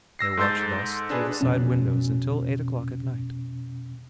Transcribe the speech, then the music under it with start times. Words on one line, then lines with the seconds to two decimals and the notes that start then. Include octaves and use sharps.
They watched thus through the side windows until eight o'clock at night.
0.19 E6 A#6 C7
0.37 G#2 A4 C6 E6 G6 A6
1.10 D4 G#4 B4
1.41 F2 B2 C#4